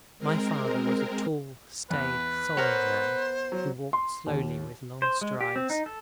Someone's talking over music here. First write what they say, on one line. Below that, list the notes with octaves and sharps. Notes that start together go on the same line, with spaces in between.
My father was a tall, staid, solemn man, who walked slowly with long strides.
G#3 C4 A#4
E2 B4
B3 A#4 C5 C#5 F#5
F#3
C6
D#2
C5
G#3
G4
C4
D#4
A4